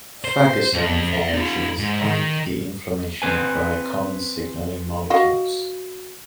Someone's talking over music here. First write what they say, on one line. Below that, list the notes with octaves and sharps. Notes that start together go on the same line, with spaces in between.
Phagosome formation is tied to inflammation via common signalling molecules.
C5
F2
D5 E5
D#4 F4
G#2
D#3
C4 B4 G#5
F#4 D#5 F5